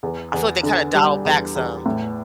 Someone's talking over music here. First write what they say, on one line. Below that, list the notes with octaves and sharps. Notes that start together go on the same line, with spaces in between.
I feel like they kinda dialed back some.
E2
E2
D3
G3
E2
E2
A2